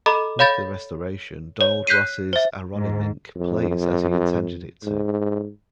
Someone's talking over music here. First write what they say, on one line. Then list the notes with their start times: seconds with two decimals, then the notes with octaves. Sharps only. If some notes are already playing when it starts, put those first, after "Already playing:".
With the restoration, Donald Ross's Aronimink plays as he intended it to.
0.06 A4 D#5 A#5 B5 D6
0.39 C#5 F5 B5 G6 A6
1.61 C#5
1.87 F#6 G6 B6 C7 D#7
2.33 C5 E5
2.75 G#2
3.36 F2
4.83 G#2